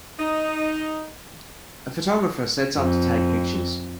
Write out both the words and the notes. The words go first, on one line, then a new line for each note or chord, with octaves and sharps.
A photographer sets up to take pictures.
D#4
F2